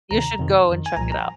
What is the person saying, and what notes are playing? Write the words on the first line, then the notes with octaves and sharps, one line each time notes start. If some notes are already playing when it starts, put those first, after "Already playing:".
You should go and check it out.
D2 C3 D#3 A#5
F2 C3 D#3
F2 D#3
G#5
C2 A#2 F3 A#5
A#5